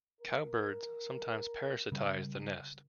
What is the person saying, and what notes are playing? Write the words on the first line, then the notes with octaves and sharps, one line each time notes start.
Cowbirds sometimes parasitise the nest.
A#4
C#3 G3